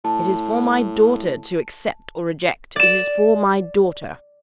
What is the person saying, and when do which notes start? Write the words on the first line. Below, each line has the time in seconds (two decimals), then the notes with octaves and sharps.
'It is for my daughter to accept or reject; it is for my daughter.
0.05 A2 A5
2.76 D5 E7